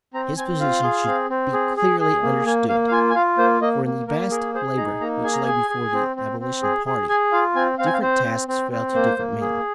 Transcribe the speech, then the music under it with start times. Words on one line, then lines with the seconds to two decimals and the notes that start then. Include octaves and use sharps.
His position should be clearly understood; for in the vast labor which lay before the abolition party different tasks fell to different men.
0.14 C4 A#5
0.37 C4 G#5
0.60 F4 F5
0.83 G#4
1.06 C4
1.30 C4
1.53 G#4
1.77 G#4
2.00 G#4
2.22 A#3
2.46 A#3 G#5
2.69 A#3 F5
2.88 F5
2.92 F4 G#5
3.10 G#5
3.15 F4 F5
3.38 A#3 C5
3.61 A#3 D#5
3.85 A#3
4.08 A#3 A#4
4.31 G#4 A#4
4.54 G#4 C5
4.77 D#4 A#5
5.01 A#3 A#5
5.24 G#4 G#5
5.33 A#5
5.43 G#4 G#5
5.70 G#4
5.93 C4
6.16 C4
6.40 C4
6.63 G#4
6.86 G#4
7.09 G#4 G#5
7.32 F4 F5
7.55 C4 G#5
7.79 C4 F5
7.86 G#5
7.94 F5
8.02 C4 C5
8.25 C4
8.48 C4
8.71 C4
8.95 A#3 C5
9.18 A#3
9.41 G#4